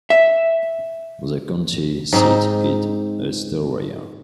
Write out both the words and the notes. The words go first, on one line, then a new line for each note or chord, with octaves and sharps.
The county seat is Astoria.
E5
G#2 C4 D#4